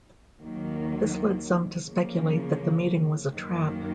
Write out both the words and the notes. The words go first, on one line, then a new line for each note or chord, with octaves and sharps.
This led some to speculate that the meeting was a trap.
D#2 D#3 F#3 A#3
C#3 F3 A#3
F#2 D#3 A#3